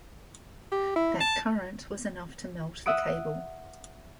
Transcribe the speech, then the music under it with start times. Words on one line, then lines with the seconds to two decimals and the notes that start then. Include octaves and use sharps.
That current was enough to melt the cable.
0.72 G4
0.96 E4
1.20 A5
2.86 E5 F#5 D#6 D7